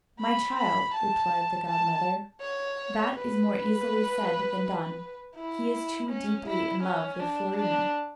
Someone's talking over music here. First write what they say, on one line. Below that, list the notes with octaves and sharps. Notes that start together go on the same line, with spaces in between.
"My child," replied the godmother, "that is more easily said than done; he is too deeply in love with Florina."
B5
B5
A5
A5
C#5
B4
E4
C#4
E4
C#4
D4
D4